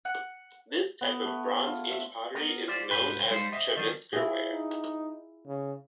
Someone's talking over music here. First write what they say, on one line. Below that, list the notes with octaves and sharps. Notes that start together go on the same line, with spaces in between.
This type of Bronze Age pottery is known as "Trevisker ware".
F#5
B3
A3
F4
E5
B3 A#4
F4 G4 C5 D5
C2 G#2 B4 C5 B5
G3 G#3 D#4 C5 F5
C5 D#5 E5
D#3 F3 G3 B3 D4
E4 F4 G#4
D#4
C#3